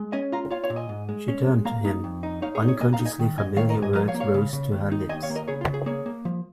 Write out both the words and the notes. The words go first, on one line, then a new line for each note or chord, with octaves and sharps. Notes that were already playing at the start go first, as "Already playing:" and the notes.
She turned to him; unconsciously familiar words rose to her lips.
Already playing: G#3
C#4 D#5 G#5
F4 F5 A#5
F4 C#5 F5
C#5 F5
A#2
D#5 G#5
G#2
G#3
C#4
G#3
A#3 F5 A#5
D#4
F2
D#4
D#4 C#5 F5
G#4 C#5
D#4
G#4 C#5
A#3 D#5 G#5
F5 A#5
D#4
D#5 G#5
D#3
G#2 D#5 G#5
D#3 C#5 F5
A#4 D#5
G#2
D#5 G#5
F3 A#4 D#5
C#5 F5
A#3
C#5 F5
C#3
C#3
D#2
D#4
D#2 D#5 G#5
C#5 F5
A#3
A#4 D#5
C#3 G#4 C#5
F4
C#3
G#4
A#3 G#4 C#5
A#3
F3